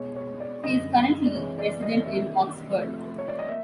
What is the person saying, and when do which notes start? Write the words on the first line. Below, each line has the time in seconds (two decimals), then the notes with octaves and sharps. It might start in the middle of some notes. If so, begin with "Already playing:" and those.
He is currently resident in Oxford.
Already playing: B2 G#3 C#5
0.16 C#5
0.40 D5
0.64 F#2 D3 G3 D#5
1.26 D5
1.35 C3 E3 G#3 C#5
1.59 D5
1.83 D#5
2.06 C3 D#3 G3 A#3 E5
2.78 C3 F3 A3
3.18 C#5
3.28 D5
3.39 D#5
3.48 A#3 E5